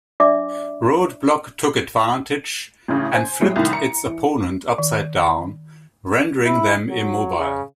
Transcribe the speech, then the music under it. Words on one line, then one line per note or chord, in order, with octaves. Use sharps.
Roadblock took advantage and flipped its opponent upside-down, rendering them immobile.
D4 D5 E5 D6
A1 D2 C#3
C5 G#5
A2 F#3 G#3
C2 A2 D#3
A#5 C#7
E3
D#3
E4
F#3
C#3